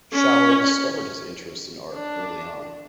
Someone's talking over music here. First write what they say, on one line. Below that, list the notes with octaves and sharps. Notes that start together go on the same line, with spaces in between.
Schauer discovered his interest in art early on.
C#4
D4